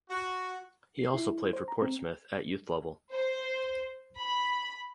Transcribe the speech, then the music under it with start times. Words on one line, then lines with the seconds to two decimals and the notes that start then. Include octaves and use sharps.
He also played for Portsmouth at youth level.
0.10 F#4
0.99 C7
1.14 E4
1.53 C5
1.68 A#5
1.82 C4
3.11 C5
4.19 B5